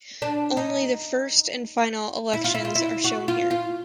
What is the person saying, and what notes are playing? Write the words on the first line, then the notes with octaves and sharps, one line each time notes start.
Only the first and final elections are shown here.
D4
D#4
E4
F4
E4
F4
E4
F#4
F4
F4